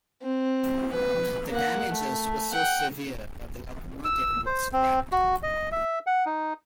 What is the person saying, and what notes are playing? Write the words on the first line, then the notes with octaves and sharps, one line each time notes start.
The damages were so severe that the locomotive was scrapped.
C4
B4
A#3 F#5
A3
F#5 G5
E6
C5
C4
F#4
D#5
E5
F#5
D#4